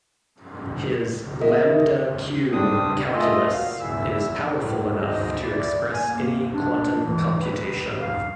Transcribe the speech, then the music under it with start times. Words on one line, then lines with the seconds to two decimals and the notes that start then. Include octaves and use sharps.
His lambda-q calculus is powerful enough to express any quantum computation.
1.41 E3 B3 G#4 A#4 D#5 E5
2.53 G2 G3 C4 D4 D#6
3.13 A3 F4 D#5 E5 G#5 E6
3.52 A#2 F#4 F5
3.81 E2 E4 E5 G#5 E6
4.58 A2
5.01 D2 G#2 C5 D#5
5.42 E4 D5
5.93 G#5
6.07 A#3
6.54 D4
7.02 E3
7.40 B4
8.01 F5